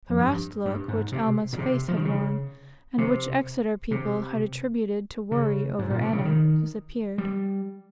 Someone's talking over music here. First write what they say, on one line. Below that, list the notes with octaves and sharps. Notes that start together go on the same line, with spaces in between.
The harassed look which Alma's face had worn, and which Exeter people had attributed to worry over Anna, disappeared.
F2
G2
G2
G#2
C3
A#2
C3
F3
D#3
C#3
C3
C3
C#3
G#2
A#2
C3
C#3
D#3
G3